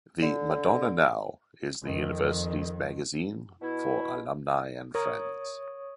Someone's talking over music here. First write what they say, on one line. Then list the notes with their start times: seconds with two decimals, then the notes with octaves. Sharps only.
The "Madonna Now" is the university's magazine for alumni and friends.
0.22 D3
1.82 F2 D#3
3.61 B2 E4
4.95 A#4 C#5 D#6